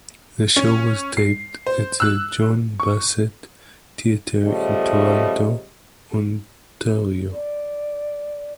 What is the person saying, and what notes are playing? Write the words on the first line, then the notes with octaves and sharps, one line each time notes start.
The show was taped at the John Bassett Theatre in Toronto, Ontario.
C#4
C7
C5
E6 F#6
C#6
C#3 F3 G3 A3 D#5
D5